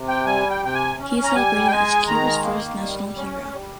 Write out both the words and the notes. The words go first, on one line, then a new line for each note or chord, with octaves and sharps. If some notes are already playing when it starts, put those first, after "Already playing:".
He is celebrated as "Cuba's First National Hero".
Already playing: C3
G5
G3 G#5
G5
C3 G5
G#5
C#4
A#5
G3 G#5
G5
G#3 G#5
D#3 A#5
A#3
G3
C#4
G3